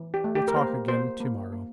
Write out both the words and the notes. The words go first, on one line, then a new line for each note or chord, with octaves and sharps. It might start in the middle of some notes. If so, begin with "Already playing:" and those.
"We'll talk again to-morrow."
Already playing: E3
G4
A3
G4
A#4
A#3 C5
A#3 C5
A#3
A#3